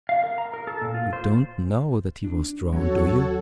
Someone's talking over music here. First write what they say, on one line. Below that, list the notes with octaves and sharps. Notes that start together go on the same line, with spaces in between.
You don't KNOW that he was drowned, do you?
F5
A#4
A#5
A#4
A4
A#2
F4
C5
D4
D#2 F#3 C#4 F#4 A4 C#5